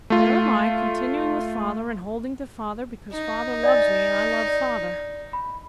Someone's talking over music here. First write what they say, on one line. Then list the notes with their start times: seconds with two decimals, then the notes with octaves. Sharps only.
There am I, continuing with father and holding to father, because father loves me and I love father.
0.10 A3 F4
3.12 D#4
3.63 D5 G#5 A6
4.48 D5
5.33 B5